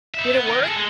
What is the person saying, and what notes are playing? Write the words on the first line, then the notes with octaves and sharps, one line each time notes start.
Did it work?
D#4 E5
B3
D#4 A#4
G#4 A4
G#3